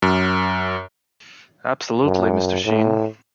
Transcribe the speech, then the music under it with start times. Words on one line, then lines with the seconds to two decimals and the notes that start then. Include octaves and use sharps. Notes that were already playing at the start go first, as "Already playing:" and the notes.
Absolutely, Mister Shean!
0.02 F#2
2.05 F#2
2.65 A2